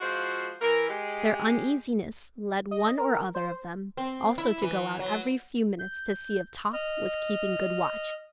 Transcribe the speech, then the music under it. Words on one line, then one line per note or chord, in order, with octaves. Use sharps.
Their uneasiness led one or other of them also to go out every few minutes to see if Top was keeping good watch.
F3 G#3 F4 F#4 C5
E3 A#4
G#3 G4
D#5
A#4
C5
C4
E4
E3
F#3
G6
D#5 F6